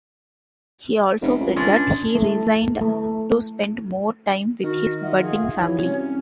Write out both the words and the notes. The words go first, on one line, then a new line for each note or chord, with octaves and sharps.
He also said that he resigned to spend more time with his budding family.
F1
C#2
G#3 C#4 D4
A3
A3
D#3 F#4 F6
F4 D#5 E5 F#5
G#4
E3 F#4 C#5
C2 C#4